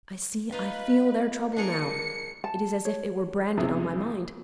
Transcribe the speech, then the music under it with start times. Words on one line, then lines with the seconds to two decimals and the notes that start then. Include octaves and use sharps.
I see,--I feel their trouble now; it is as if it were branded on my mind.
0.52 D#4 F4 B4
1.56 D4 G#4 A#4 C#7
2.44 A5
2.85 C#5
3.57 B1 E2 C3 E3 G#4